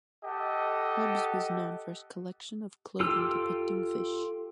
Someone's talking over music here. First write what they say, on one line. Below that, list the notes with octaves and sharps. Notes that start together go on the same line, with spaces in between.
Hubbs was known for his collection of clothing depicting fish.
G4 A4 D#5 F#5
F4 G4 A4 E6